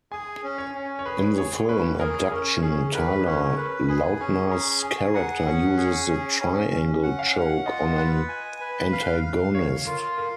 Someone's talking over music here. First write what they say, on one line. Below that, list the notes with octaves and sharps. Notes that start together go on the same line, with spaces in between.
In the film "Abduction", Taylor Lautner's character uses the triangle choke on an antagonist.
G#4 G#5
C#4
C#5
C#4
C#5
G#4 B4
G#4 C#5
C#4 B4
G#4 A#4
C#4 A#4
C#4 G#4
A#4 B4
C#4 G#4
A#4 B4
G#4 B4
C#4 G#5
G#4 A#5
G#4 G#5
F#5 A#5
C#4 G#5
G#4
C#4
C#4
C#4
F#5
F5
F#5
F4 D#5
B4
G#5
B4
F5
F5
C#5 F5
F4 A#4
A#4 F5